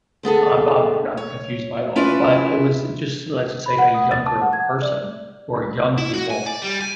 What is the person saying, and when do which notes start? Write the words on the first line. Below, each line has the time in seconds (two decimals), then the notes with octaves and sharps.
I'm I'm I'm confused by it all but, it was just let's just say, a younger person, or young people,
0.23 D3 B3 G#4 A4
1.17 C#5
1.96 C#4 E4 F4 B4 D5
3.66 B5
3.78 F#5
3.94 D#6
4.11 A6
4.26 A5
4.41 F#5
4.53 G#6
4.69 E5
4.82 D5
5.98 E4
6.14 F#4
6.30 G#5
6.46 D5
6.62 G3
6.81 G#5